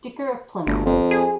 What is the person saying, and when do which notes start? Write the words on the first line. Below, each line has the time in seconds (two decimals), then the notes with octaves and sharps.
Dicker of Plymouth.
0.66 G1 D2
0.86 F2
1.11 G#4